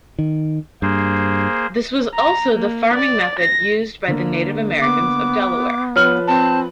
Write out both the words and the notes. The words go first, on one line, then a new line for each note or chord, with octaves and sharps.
This was also the farming method used by the Native Americans of Delaware.
D#3
G2 A#3 G#4 C5
A#5
A#3
D5
A#6
D3 A#3
B3 D6
F3 B4 C#5 F6 F#7
C4 A5